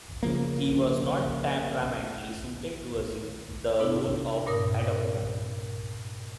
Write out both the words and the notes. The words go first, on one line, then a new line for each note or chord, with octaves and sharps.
He was not temperamentally suited to assume the role of head of the family.
C#3 F3 A#3
G#2 C3 B3 D4 E4
G2 A#2 A#4 D#6